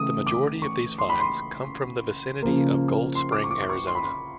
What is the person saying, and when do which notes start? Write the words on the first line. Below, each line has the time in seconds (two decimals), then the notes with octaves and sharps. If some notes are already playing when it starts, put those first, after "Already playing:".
The majority of these finds come from the vicinity of Gold Spring, Arizona.
Already playing: C#3 E3 A3 D#6
0.27 D6
0.62 C#6
0.98 C6
1.09 B5
1.20 C6
2.42 C#3 F3 A#3
3.15 C6
3.32 D6
3.44 C#6
3.51 D6
3.62 D6
3.69 C#6
3.87 C6
3.95 B5
4.02 C6